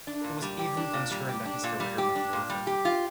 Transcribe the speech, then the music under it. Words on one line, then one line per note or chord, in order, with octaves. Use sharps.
He was even concerned that his career might be over.
D4
A#2
G3
G4
D4
A#2
G3
G4
D4
A#2
G3
G4
D4
A#2
G3
G4
F4